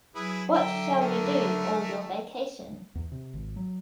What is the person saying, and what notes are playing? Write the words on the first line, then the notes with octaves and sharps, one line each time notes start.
What shall you do all your vacation?
F#3 E4 G#4 B4
D3 F#3 E5 G5 A#5
A3 A#4
E2
C3
G#1
F#3